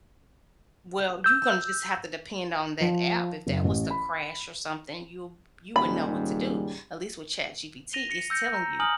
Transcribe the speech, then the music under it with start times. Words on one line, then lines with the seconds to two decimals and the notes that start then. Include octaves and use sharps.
Well, you gonna just have to depend on that app. If that was to crash or something, you you wouldn't know what to do. At least with ChatGPT, it's telling you,
1.24 E6 G6
2.81 F3
3.47 F#1
3.64 A1
3.90 B5
5.76 D#1 G#2 C#3 G3 B5
7.93 A#6 D#7 F7 G7
8.10 A#6 C#7
8.30 E6 G6 A#6 C#7
8.54 A#5
8.79 G#5 A#5 D#6 F6 F#7